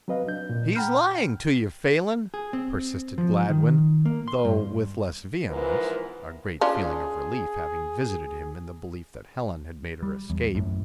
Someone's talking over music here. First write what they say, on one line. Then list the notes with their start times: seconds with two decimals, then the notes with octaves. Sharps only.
"He's lying to you, Phelan," persisted Gladwin, though with less vehemence, a great feeling of relief having visited him in the belief that Helen had made her escape.
0.08 F#3 C4 B4 D#5 F5
0.27 F#3 D4 G6
0.50 A#2
0.75 F#5 G5 A#5 B5 F6 G6
2.34 G#4
2.53 C4
3.18 F3
3.49 D#3
4.05 A#3
4.28 C6
4.45 G2
5.49 G#2 E3 F3 B3 A#4 B4
6.61 C#4 D4 F4 G#4
10.03 G3
10.30 E2
10.55 F#2 A2